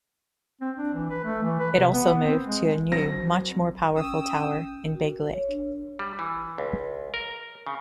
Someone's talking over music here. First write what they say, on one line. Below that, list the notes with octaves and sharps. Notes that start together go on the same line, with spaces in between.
It also moved to a new, much more powerful tower in Big Lake.
C4
D4
E3
B4
A3
E3
B4
C3
B3
C4
G#3
F#3 C4 A#6
C#4 G5 D#6 E6
F#4
A#4
C#5
D4
G3
E3
C#2
A#4
C#3